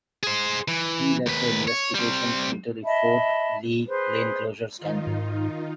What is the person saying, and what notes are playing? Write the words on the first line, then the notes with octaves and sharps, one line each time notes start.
He led the investigation into the Fort Lee lane closure scandal.
G#4 C5
E3
D#2 B4
C#5
G3 C4
D#5 E5 A5 B5
G#4 B4 C5
D#3 D#4 F4
G#2